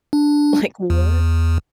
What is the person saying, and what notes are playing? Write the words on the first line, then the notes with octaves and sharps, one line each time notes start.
Like, what?
D4
E2